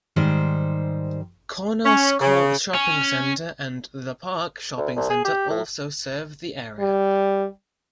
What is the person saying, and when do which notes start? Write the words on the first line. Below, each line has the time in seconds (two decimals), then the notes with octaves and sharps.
Cornelscourt shopping centre and "The Park" shopping centre also serve the area.
0.16 G#2 D#3 G3 C5
1.85 C#4
2.21 C#3
2.74 C#4
4.77 D2
4.96 C2
5.10 G#4
5.25 G4
5.50 A2
6.80 G3